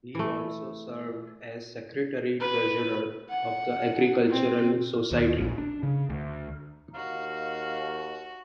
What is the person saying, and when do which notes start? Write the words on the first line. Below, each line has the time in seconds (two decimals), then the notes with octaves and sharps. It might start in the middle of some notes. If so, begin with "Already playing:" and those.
He also served as secretary-treasurer of the Agricultural Society.
0.15 E3 A3
2.40 B4
3.29 F#5
4.30 C4
5.12 D#2
5.40 A#1
5.58 D4
5.83 C#3
6.10 D2
6.95 D#2 F#4 F5